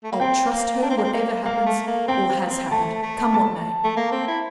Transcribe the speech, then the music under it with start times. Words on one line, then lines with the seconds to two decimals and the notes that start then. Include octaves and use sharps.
I'll trust her whatever happens or has happened, come what may.
0.04 A3
0.12 A#3
0.20 C4 G5
0.51 A#3
0.83 D4
0.90 C4
0.97 A#3
1.04 C4
1.14 A#3
1.45 A#3 F5
1.66 A3
1.87 A#3
2.08 C4 G5
2.29 C4
2.45 A#3
2.50 C4
2.71 A3 A5
3.02 A3
3.34 A5
3.84 A3
3.97 A#3
4.12 C4
4.28 E4